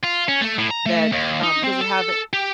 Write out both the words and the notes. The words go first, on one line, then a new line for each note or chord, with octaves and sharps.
that um, does it have
F4
C#4
A3
A2
A#5
A3
D#2
D#4
C4
A4
G4